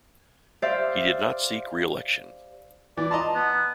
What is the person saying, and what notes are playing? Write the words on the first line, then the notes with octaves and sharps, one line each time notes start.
He did not seek reelection.
G4 C5 D5 E5 F5
E3 D5
D#5 A5 A#5 C6
B3